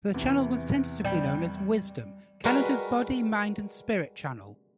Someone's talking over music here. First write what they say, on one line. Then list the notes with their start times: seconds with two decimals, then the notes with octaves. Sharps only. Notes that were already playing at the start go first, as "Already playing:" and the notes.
The channel was tentatively known as Wisdom: Canada's Body, Mind and Spirit Channel.
0.14 E2 C3 E3
1.05 G3
2.44 G3 G#3 F#4 A#4 B4